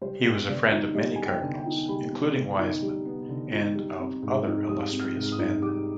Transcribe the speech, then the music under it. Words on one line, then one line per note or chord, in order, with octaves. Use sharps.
He was a friend of many cardinals, including Wiseman, and of other illustrious men.
G3 C5
B3
D3 D5
D#4
G3 D#5
B3 G#5
G5
D3
G5
D#4
G3 B5
B3
D3
D#4
G3
B3
D3
D#4
G3
C4
G#2
D#4
G3 D#6
C4
F6
G#2
D#6
D#4
G3 D6